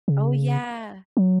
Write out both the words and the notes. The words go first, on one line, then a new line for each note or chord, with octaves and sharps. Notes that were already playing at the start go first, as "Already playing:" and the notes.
Oh, yeah.
C#3
F#3